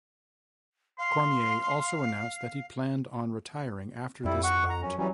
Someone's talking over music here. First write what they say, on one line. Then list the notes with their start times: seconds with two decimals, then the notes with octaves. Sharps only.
Cormier also announced that he planned on retiring after this bout.
0.99 F5 C6
4.24 F2 G3 E4
4.44 F#5 C#6
4.69 A#5
4.83 F#2 C#4
4.98 E3 F#3 G3 C#4